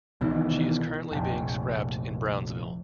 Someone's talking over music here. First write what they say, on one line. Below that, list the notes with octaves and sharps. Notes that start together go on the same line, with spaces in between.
She is currently being scrapped in Brownsville.
C2 B2 D#3 E3
F1 A#1